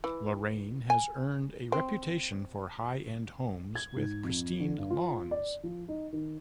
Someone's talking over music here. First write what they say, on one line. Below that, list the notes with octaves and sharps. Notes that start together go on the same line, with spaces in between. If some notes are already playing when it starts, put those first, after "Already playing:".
Lorraine has earned a reputation for high end homes with pristine lawns.
E3
G#5
C4
G#6
G#2
F2
D3
G2
F4
D5
F3
D#4
D#3